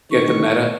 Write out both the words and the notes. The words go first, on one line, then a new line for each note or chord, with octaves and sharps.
Get the Meta.
D#3 C#6